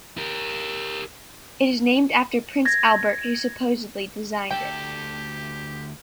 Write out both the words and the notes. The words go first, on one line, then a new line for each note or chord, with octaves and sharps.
It is named after Prince Albert who supposedly designed it.
G4 A#4
G#6 A#6
D2 G4 A4 G5